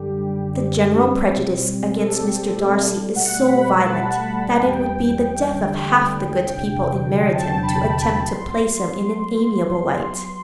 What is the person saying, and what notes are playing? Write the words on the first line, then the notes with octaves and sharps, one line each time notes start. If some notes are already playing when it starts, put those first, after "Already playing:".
The general prejudice against Mr. Darcy is so violent, that it would be the death of half the good people in Meryton to attempt to place him in an amiable light.
Already playing: F#2 D3 G3 G4
G3
D3
G3
C4
B2
C4
C4 A4
G4
C4 G4
A3
G3 A4
B2 F#5
G3 B5
B2 A5
B2
G3
A5
E2 G5
E2
E2
D3
A3
D3
C3 G5
E2
F#3
F#3 A5
A5
B3 B5
F#3 B5
B3 B5
C6